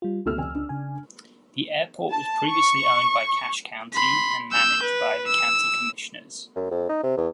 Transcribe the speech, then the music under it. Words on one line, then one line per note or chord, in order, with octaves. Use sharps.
The Airport was previously owned by Cache County and managed by the County Commissioners.
G3 F4
C#2 B2 A3 E6 F6
F1 G#5
D4
C#3 G#5
A5
C#6
B5 C6
E6 G6
B4
E6
F#2
F2
D#4
C3
E2